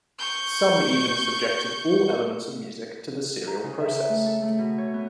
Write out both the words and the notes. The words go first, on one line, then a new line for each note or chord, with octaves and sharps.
Some even subjected all elements of music to the serial process.
C#6 G6
A#5
C#3
E5
A3
A4
A3
B2
C#5
B3